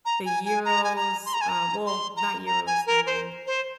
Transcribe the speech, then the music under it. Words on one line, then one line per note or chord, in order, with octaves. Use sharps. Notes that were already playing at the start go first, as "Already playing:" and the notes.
the gyros, um well, not gyros- I'm lying-
A#5
G#5
G#5
A#5
G#5
A#5
C6
A#5
G#5
A#5
C6
A#5
A#5
G#5
A#4
C5
C5